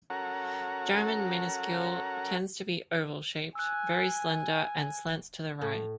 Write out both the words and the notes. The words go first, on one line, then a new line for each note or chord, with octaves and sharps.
German minuscule tends to be oval-shaped, very slender, and slants to the right.
C#4 F#4 A4 A#4 F#5 A#5
G#5 E6 F#6
A2